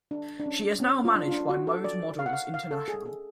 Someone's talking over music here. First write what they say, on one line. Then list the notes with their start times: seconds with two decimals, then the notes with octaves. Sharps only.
She is now managed by Mode Models International.
0.11 D4
0.40 D4
0.46 C#4
0.80 C#4
1.05 F4
1.15 D4
1.28 F4
1.32 D4
1.49 F#4
1.67 A4
1.84 D5
2.19 F5
2.26 F#5
2.33 F5
2.54 F5
2.71 A4
2.88 G#4
3.05 G#4